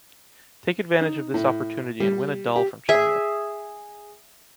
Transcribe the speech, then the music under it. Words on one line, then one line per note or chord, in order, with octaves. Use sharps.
Take advantage of this opportunity and win a doll from China.
D#4
A2
G3
G4
G#4 E5